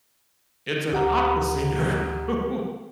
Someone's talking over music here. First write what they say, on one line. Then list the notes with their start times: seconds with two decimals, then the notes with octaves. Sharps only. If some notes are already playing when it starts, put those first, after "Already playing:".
it's an opera singer who
0.92 D2 G4 F#5 A#5